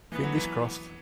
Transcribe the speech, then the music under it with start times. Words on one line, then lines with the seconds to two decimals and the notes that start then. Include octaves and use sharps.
Fingers crossed!
0.12 E3 B3
0.23 F#3
0.35 E3